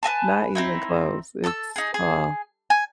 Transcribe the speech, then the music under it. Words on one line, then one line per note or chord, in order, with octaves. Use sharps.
not even close. It's, uh
B4 D#5 G#5 A5
C4 D#4 E4
A4 A5 D6 E6
D#4 G#4
G#4
G#5